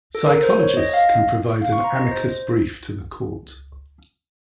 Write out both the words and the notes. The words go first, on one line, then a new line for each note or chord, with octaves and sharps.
Psychologists can provide an amicus brief to the court.
A4
A#4
C5
C#5
D#5
D#5
F5
F5
C#6
C6
A#5
D#5
C5